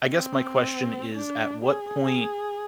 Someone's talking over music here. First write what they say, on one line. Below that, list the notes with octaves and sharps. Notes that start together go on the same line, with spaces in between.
I guess my question is, at what point
C4
D4
G#4